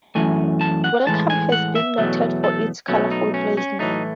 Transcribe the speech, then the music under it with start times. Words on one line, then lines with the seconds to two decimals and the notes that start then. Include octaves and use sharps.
Welcome has been noted for its colorful place name.
0.15 F#2 E3 A3 G#5
0.61 A5
0.84 F#5
1.06 A2 E3 G#3 A5
1.30 G#5
1.52 F#5
1.75 E5
1.98 E2 B2 F#3 A3
2.44 A4
2.88 B2 F#3 A3 C#4
3.11 D#4
3.34 C#4
3.57 C#4
3.79 A2 E3 A3 D#4